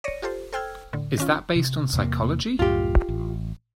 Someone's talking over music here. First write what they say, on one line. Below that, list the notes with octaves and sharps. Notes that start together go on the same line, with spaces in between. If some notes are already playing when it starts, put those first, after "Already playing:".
Is that based on psychology?
C#5 D5 A#6 C#7 D#7
F4 G4 A4 C5
A4 C5 G5 E6 F6 G#6
A2 D3
D#3 C#4 F4
C3
E2 C3 A#3
C2 F#2 A2 F4 G4
A1